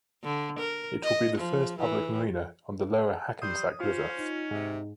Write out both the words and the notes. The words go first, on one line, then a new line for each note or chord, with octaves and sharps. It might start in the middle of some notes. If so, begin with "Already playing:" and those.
It will be the first public marina on the lower Hackensack River.
D3
A#4
D#5
F3
E3
G3 C5 D#6
C#4 F4 C5
D#4
G#2 C3